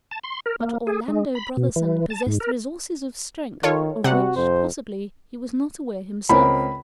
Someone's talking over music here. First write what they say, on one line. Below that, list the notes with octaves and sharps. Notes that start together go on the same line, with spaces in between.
But Orlando Brotherson possessed resources of strength of which, possibly, he was not aware himself.
A5
C6
A#4
A#3
G#4
G#3
B5
B2
E3
A5
G#2
A#4
D#3 F4 A4 C#5
C3 G3 F#4 F#5
F2 C5
C#2 C4 A#4 B5